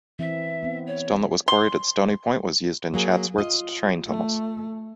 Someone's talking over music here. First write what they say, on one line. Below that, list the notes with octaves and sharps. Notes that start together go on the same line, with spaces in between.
Stone that was quarried at Stoney Point was used in Chatsworth's train tunnels.
E3 C4 E5
B3 C4
C#5
C6
F#3 A#3 G#4
F4 D#5
A3